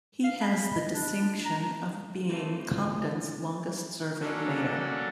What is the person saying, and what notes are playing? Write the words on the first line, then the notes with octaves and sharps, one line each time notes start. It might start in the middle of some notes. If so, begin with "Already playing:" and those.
He has the distinction of being Compton's longest serving mayor.
F5
B5
D#5
D4
A#5
E3 A3 C4 F4 A4
F#3 A#3 C#4 D4 F#4 A4